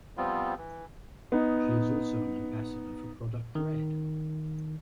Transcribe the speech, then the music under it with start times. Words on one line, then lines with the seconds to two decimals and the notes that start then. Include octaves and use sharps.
She is also an Ambassador for Product Red.
0.17 F3 G3 B3 C4 F4
0.58 E3
1.32 B3 D#4
3.55 D#3